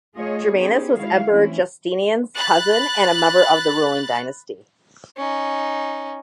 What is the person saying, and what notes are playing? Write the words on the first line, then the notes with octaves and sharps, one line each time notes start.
Germanus was Emperor Justinian's cousin, and a member of the ruling dynasty.
A3 F4 G#4 C#5 D#5
B3 C#4 D#4 G4 G#4 C5
D#3 G#3 E4 F#4 F5
E3 A3 C4 C#4 E4
B5 F#6 A6
C#4 D#4